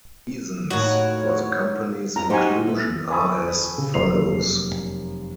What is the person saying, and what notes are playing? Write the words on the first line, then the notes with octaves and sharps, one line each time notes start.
Reasons for the company's inclusion are as follows.
D#2 A2 F#4 A#4 C#5 D#5
F2 A#5
D#4 F#4 G4 C5 G#5
A3 B4
G#5 A5 B5 C#6 D#6 E6
C#3
F1 F#2 A#3 C7 F7